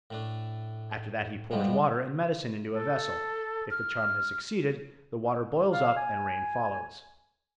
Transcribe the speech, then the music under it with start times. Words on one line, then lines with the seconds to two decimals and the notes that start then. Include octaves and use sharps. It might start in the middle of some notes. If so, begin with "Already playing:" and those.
After that he pours water and medicine into a vessel; if the charm has succeeded, the water boils up and rain follows.
0.10 A2 A3 D4
1.51 G2 B2 F3 G3 G#3
2.74 A4
3.71 F6
5.73 F5
5.97 G#5